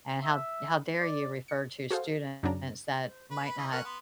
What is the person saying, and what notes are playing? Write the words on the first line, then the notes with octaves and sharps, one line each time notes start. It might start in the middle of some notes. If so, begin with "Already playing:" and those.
And how how dare you refer to students that might not
E5
D5
C#7
F#4 G#4 A4 C5 F5
F#2 C#3 F#3 C#4 D4 A#5
C5
B4 B5
B5
E3 C#4 D#5
C#4 A#4 F5 F#5
B3 C6